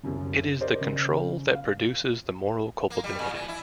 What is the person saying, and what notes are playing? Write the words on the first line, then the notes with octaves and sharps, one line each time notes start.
It is the control that produces the moral culpability.
C2 F#2 C#3
G4 A#4 C5 D5 D#5
C#3
F5
A#3
G3
A#2
E3
E4